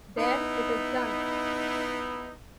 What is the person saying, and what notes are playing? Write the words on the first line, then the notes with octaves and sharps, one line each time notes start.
There - it is done.
B3 D#4 E4